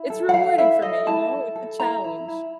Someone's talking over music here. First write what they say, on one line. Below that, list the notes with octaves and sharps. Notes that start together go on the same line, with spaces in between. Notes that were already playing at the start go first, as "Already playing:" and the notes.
it's rewarding for me you know, it's a challenge.
Already playing: E4
A4
F#5
A4 F5
E4 E5
A4 D#5
E4 A5
A4
A4
E4 A#5
E4
E4